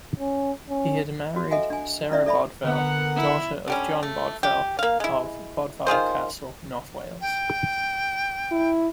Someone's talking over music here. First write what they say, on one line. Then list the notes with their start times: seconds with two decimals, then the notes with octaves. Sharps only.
He had married Sarah Bodvel, daughter of John Bodvel of Bodvile Castle, North Wales.
0.19 C#4
0.69 C#4
1.36 F#4
1.51 A4 D#5 E5 F#5 G#5
1.70 D4 G#5
2.11 C#4 E4 D5 E5
2.26 A4 D5 E5 A5 B5
2.64 D3 B3 A#4 F#5
3.16 E4
3.68 D3 G3 C#4
4.03 A3
4.43 G4
4.79 A#3 F5
5.00 G#3 E4
5.87 D#3 F4 G#4 C5
7.21 G5
8.51 E4